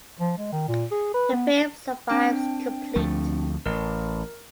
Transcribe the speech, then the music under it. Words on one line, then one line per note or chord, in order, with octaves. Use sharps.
The film survives complete.
F3
G#3
D#3
A#2
G#4
B4
B3
C4 D4 G5
D2 F3 A3
A1 A#4